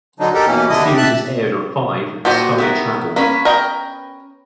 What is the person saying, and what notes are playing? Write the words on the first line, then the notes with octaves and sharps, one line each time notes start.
The series was aired on Five and Sky Travel.
D3 F#3 D4 D#4
D#4 G4 A4 A#4
B2 E3 A#3 C#4
D#2 D3 D4 E4 D#5 D#6
G4
E5 A5 F#6
A#2 F#4 G4 C5 D#5
B3 E4 A#4
A#3 C#4 B4
A#4 D#5 G5